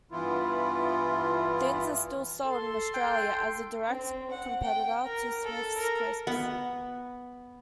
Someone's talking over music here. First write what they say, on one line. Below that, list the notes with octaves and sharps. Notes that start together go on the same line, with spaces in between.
Thins is still sold in Australia as a direct competitor to Smith's Crisps.
G2 E3 B3 E4 F4
A4 C6
G5
C4
F#5
G5
A#4
A4
A#4
B3